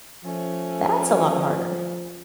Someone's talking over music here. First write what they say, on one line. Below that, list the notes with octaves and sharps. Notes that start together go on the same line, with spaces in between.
That's a lot harder.
F3 A3 C#4